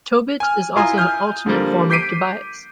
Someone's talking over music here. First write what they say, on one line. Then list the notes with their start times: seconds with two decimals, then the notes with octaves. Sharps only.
Tobit is also an alternate form of Tobias.
0.40 G#5 F6
0.76 E4 F4 G#5 A#5 D#6
0.98 G#5 D#6 F6 G6
1.46 D3 F3 G3 A#3
1.90 D6 G6 B6 C7 D7 D#7